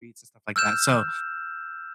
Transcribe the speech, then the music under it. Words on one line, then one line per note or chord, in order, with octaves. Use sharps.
streets, and stuff like that. So,
E6 F6 G6 E7